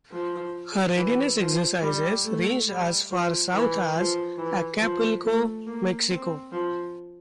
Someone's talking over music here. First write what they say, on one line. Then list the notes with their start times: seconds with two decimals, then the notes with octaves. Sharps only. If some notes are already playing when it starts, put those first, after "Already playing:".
Her readiness exercises ranged as far south as Acapulco, Mexico.
0.12 F3
0.97 E3
1.40 F3
1.82 G3
2.25 A3
2.68 G3
3.10 F3
3.53 E3
3.95 F3
4.38 E3
4.81 F3
5.24 A3
5.66 A#3
6.09 C4
6.52 F3